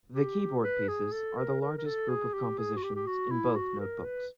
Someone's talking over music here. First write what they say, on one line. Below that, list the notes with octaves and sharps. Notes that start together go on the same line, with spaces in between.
The keyboard pieces are the largest group of compositions in both Notebooks.
G4
B4
G#4
A4
A#4
A#4
A#4
A4
G#4
G4
G#4
F#4
G4
G4
F#4
E4
F#4
A#4
B4